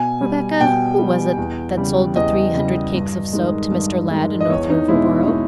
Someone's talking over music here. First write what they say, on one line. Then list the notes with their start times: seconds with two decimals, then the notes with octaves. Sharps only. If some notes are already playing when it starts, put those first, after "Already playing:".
"Rebecca, who was it that sold the three hundred cakes of soap to Mr. Ladd in North Riverboro?"
Already playing: B2 G#5
0.21 G3
0.60 B2 G5
0.98 G3
1.38 E2
1.77 C#3 G3
2.15 E2 D#5
2.55 C#3 G3
2.94 G2
3.33 D#3 G#3
3.71 G2
4.11 D#3 G#3
4.40 D#5
4.50 E2 C#5
4.70 D#4
4.88 B2 G#3 E4
5.27 D#4